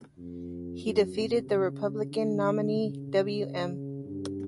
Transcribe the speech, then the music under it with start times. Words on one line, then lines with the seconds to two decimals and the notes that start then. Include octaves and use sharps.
He defeated the Republican nominee Wm.
0.17 F2
0.82 F#2
1.14 C3
1.46 C#3
2.11 D3
2.75 C#3
4.05 G2